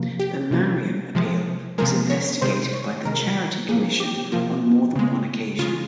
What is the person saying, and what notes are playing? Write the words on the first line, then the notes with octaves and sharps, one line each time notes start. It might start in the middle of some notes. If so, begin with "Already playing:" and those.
The Mariam Appeal was investigated by the Charity Commission on more than one occasion.
Already playing: C3 F3 A#3
G4
C3 F3 A#3
C3 F3 G#3
C3 F3 G#3 A#4
C#5
C3 D#3 G#3 C5
C#5
C3 D#3 G#3 A#4
C3 F3 A#3 G#4
G4
C3 F3 A#3 F4
C#3 G#3
C#3 G#3 F4